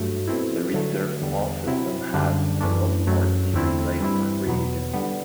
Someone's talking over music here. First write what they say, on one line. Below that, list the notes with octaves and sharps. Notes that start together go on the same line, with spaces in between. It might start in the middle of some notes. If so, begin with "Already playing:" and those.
The reserve clause system has, for the most part, been replaced by free agency.
Already playing: G2 F#3 A3
B2 A3 C4 E4
D3 F#3 A3
E2 D3 G3
C3 F#3 C4 E4
F#2 D3 G3 D4
F#2 E3 A3 D4
F#2 F#3 A3
E2 D3 A3 C4 E4
G2 E3 G3 C4 E4
E2 B2 F#3 B3
D3 G3 B3